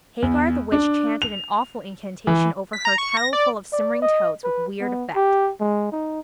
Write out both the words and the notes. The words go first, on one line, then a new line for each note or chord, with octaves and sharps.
Hagar, the witch, chanted an awful incantation over her kettleful of simmering toads, with weird effect.
E2
D4
F7
E3
B6
A#5
C#6
A#6
D5
D5
D#5
B4
B3
G4
G#3
D#4